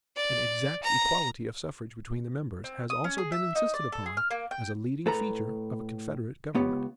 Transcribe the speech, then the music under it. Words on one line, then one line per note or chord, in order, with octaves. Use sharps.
An exact equality of suffrage between the members has also been insisted upon as a leading feature of a confederate government.
D5
A#5
C4
D#6
C#4
G#4
E5
D#4
D5
A4
G#4
F6
A#3
G5
A2 A4 B4 A#5
C#2 B3 G4 C#5